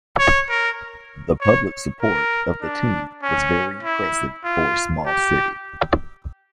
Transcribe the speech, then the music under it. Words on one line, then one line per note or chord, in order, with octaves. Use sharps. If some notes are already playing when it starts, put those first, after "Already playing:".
The public support of the team was very impressive for a small city.
C#5
A#4
C#5
A#4
D4
C#4
E4
F4
G4